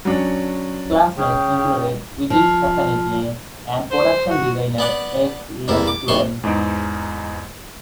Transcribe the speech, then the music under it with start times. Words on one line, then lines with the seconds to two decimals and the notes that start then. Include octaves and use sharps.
Classmates included Wisit Sasanatieng and production designer Ek Iemchuen.
0.05 F#3 C#4 D4
1.17 C#3 G5
2.30 F3
3.92 C5
4.30 F#4
4.78 B3 D5 F#5
5.68 E2 G2 A#3 E4
5.87 D6
6.08 B1 C3 E3 C6 C#6
6.43 E2 G#2 B3 D#4 D7